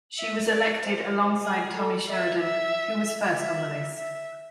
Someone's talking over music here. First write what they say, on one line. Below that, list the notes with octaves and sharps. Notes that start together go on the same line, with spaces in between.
She was elected alongside Tommy Sheridan, who was first on the list.
E5
D5
C5
G#4
A4
E5
E5
E5
E5